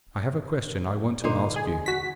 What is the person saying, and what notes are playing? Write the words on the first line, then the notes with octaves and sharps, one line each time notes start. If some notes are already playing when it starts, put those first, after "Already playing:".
'I have a question I want to ask you.'
A#2 D3 D#4 C5
G#4
F#4 B6